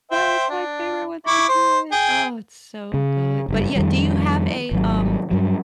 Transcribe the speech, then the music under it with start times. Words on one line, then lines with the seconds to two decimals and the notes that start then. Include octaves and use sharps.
That was my favorite when I do it. Oh, it's so good. But, yeah, do you have a, um,
0.11 C5 E5 G5
0.49 D4
1.27 E4 C#6 D6
1.49 C5
1.92 G#4 G5
2.94 C#3
3.48 F#1 G2
3.76 F2 D#3 G3
4.71 G#1 F#3
5.31 G2 F#3